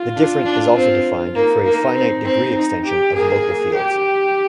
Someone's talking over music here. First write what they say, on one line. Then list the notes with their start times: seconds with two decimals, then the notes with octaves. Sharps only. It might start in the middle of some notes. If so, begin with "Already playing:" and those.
The different is also defined for an finite degree extension of local fields.
Already playing: F4
0.16 D4
0.46 D4
0.76 C4
1.36 A#3 D#4
1.65 A#3
1.96 C4
2.25 C4
2.55 D#4
2.85 G4
3.14 A#3 G#4
3.75 G4